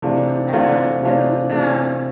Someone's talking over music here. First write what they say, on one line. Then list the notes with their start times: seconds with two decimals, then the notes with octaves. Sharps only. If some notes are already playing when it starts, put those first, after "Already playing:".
"This is bad. Yeah, this is bad."
0.02 C3 E3 A3 D4 F4
0.53 C3 E3 A3 D4 F4
1.02 C3 E3 A3 D4 F4
1.52 C3 E3 A3 D4 F4